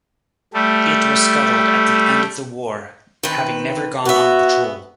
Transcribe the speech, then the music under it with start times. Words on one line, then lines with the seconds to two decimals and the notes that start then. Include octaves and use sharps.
It was scuttled at the end of the war, having never gone on patrol.
0.54 G3 A3
3.23 D#3 C4 B4
4.05 B3 F#4 E5